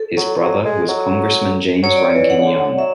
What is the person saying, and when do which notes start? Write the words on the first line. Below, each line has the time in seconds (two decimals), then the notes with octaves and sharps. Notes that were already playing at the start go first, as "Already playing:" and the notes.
His brother was Congressman James Rankin Young.
Already playing: A4
0.17 F#3
0.41 F#3
0.65 G#3
0.89 F#3
1.83 F#3 C#5
1.96 D5
2.10 E3 C#5
2.30 F#5
2.39 C#3
2.46 D3
2.78 F#3 E5